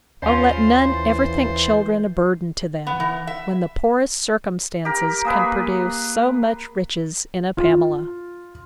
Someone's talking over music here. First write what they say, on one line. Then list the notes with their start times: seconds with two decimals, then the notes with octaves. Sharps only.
O let none ever think children a burden to them; when the poorest circumstances can produce so much riches in a Pamela!
0.22 D#2 C#4 F4 C5 B5 A6
0.88 E3
2.87 B3
3.00 E3
3.27 E5
4.85 G4 A#4
5.25 A#3 G#4 B4
7.57 F4